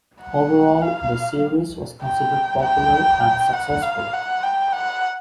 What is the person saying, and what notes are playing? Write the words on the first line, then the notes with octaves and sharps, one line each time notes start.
Overall the series was considered popular and successful.
F#5
F5
G5
G5
F#5
F5
F#5
G5
F#5